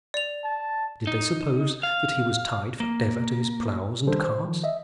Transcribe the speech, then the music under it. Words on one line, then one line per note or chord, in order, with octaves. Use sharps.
Did they suppose that he was tied for ever to his ploughs and carts?
D5 F7
A5
D#4
F5
A#3
D#3 G3 D4 A4 C5
C5
D#3 F3
D#5 E5